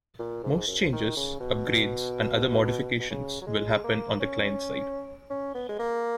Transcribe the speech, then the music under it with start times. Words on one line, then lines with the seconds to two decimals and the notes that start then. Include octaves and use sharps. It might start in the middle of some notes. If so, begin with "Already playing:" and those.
Most changes, upgrades, and other modifications will happen on the client side.
0.19 A#2
0.44 G#2
0.67 F#2
0.82 F3
0.92 D#3
1.17 C#3
1.40 B2
3.00 B2
3.10 C#3
3.41 F#3
3.47 G#3
3.84 A#3
4.20 C#4
5.30 C#4
5.55 B3
5.69 G#3
5.79 A#3